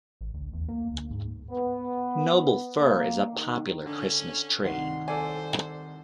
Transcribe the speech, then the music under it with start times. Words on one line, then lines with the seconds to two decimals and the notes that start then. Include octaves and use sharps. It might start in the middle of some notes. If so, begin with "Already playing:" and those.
Noble fir is a popular Christmas tree.
0.21 A1
0.34 D2
0.53 E2
0.69 A#3
0.91 D2
1.11 G#2
1.51 B3
2.78 A#3
3.32 D#3
3.86 D3 C#4
4.64 C2 D#3 F#5 C6
5.08 A4 C5 D5 G#5